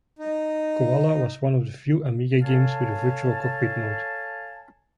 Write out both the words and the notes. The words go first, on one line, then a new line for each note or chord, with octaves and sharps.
Coala was one of the few Amiga games with a virtual cockpit mode.
D#4
A4 C#5 F5 G#5 A5